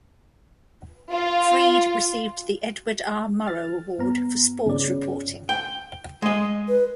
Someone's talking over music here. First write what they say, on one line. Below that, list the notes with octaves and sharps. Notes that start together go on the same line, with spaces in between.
Frede received the Edward R. Murrow Award for Sports Reporting.
F4
F6 A6
G2 B3 A#5
G2 C#3 D5
G5
G#3 D#5
B4